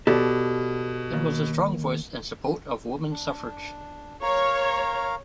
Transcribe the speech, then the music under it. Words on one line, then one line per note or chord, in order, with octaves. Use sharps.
It was a strong voice in support of woman's suffrage.
B2 G4 A4 D5
D#2
D4
A#4 C#5 F5 A#5